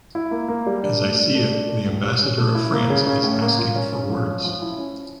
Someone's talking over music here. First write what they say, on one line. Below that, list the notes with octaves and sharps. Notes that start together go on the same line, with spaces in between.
As I see it, the ambassador of France is asking for words.
E4
A#3
A#3
G3
D4
A3
D4
A3
D4
A3
C#2
G3
C#4
A3
E4
A#3
C#3
C#4
A2
A#3
F4
C#4
C#4
F3
C#4
F3
E4
C#4